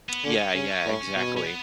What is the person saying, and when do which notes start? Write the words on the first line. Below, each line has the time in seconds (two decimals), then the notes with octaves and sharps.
Yeah, yeah, exactly.
0.09 B3
0.24 D3 C#4
0.55 C#3
0.85 A2
1.16 B2
1.37 C#4
1.46 B3